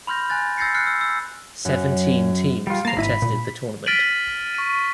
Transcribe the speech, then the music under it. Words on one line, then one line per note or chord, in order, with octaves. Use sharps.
Seventeen teams contested the tournament.
B5 C6 F6 G6 A#6
G#5 F#6 A6
E6 G6 A6 A#6 C7 C#7
F6 F#6 C7 C#7
E6
E6
F#2
G3 F4
A#3 A#5 A6 C7
G#1 E4 B5 D#7
A#2
F6 A6 B6 D7 D#7 F#7
C#6 D#7